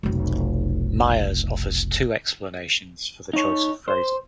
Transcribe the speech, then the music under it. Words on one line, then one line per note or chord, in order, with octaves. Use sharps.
Myers offers two explanations for the choice of phrasing.
F1 B1
D#4 C#5
C5